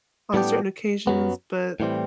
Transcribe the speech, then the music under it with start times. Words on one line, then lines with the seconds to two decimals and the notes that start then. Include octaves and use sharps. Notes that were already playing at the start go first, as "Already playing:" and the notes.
on certain occasions, but
0.34 A2 G3 B3 D4 G4
1.07 F#2 F#3 B3
1.80 A2 E3 G3 C4